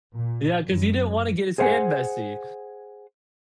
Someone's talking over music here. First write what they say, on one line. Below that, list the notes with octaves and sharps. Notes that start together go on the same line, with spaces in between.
Yeah, 'cause he didn't wanna get his hand messy.
A#2
F#2
G#4 C5 C#5 F5 F#5 G#5